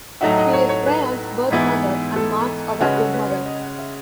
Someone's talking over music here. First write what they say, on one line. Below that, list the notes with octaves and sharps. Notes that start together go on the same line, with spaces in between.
She is Bryon's birth mother, and Mark's adoptive mother.
A2 F#3 A3 D#4 F#4 E5
D#5
C#5
C#5
B4
G#2 E3 B3 E4
A4
C#3 G#3 C#4 F#4 B4
A4
B4
C#5
D#5
F#5
E5